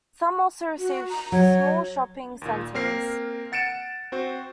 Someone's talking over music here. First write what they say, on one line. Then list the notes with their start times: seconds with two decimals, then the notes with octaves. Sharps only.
Some also received small shopping centers.
0.78 F#4
1.10 A#5
1.32 F#3 C#5
2.42 D#2 A#2
2.74 A#3 C4 A#4 F6 C7
3.52 F#5 A6 C#7 D7 E7
4.12 C4 F#4 C5